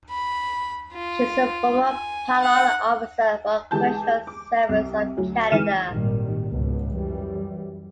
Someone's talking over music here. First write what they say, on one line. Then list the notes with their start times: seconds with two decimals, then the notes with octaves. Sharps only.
She is a former parole officer for Correctional Service of Canada.
0.10 B5
0.93 F4
1.87 G#5
2.42 F#5
3.71 E3 G#3 G4 G#4 A5 G6
4.27 D6
4.69 C2
5.17 D2 F#3
5.52 E3 G#3 D#4 F6 D#7 E7
5.90 G#1 A#2 D#3 G3
6.48 C#2 G#2 B2
6.90 F#2 E3 G3